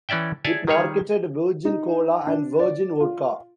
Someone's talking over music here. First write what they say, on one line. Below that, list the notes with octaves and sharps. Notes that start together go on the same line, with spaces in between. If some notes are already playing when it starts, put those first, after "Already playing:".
It marketed Virgin Cola and Virgin Vodka.
E3 C#4 D5 E5 G5
E4 G#4 C#5 D5 G#5 A5
D#3 G3 G#4 C#5
D#4
D4
D5
F4